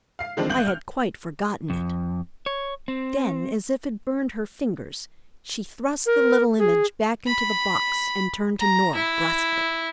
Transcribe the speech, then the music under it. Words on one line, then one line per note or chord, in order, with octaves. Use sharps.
"I had quite forgotten it." Then as if it burned her fingers she thrust the little image back into the box and turned to Norah brusquely.
F5 C7
D3 D#3 F3 G#3 C4 D4
A1 F#6 G6 F#7
F6
F2
C#5
C4
A#4
G#4
B5
A#5
E4